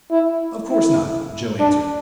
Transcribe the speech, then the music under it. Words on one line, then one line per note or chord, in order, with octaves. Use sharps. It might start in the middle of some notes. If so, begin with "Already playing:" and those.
"Of course not," Joe answered.
E4
E4
D4